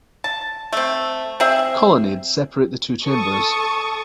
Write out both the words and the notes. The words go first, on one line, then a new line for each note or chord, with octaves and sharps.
Colonnades separate the two chambers.
A5
A3 C4
C4 G#4 E5
A4 A5 C#6 D#6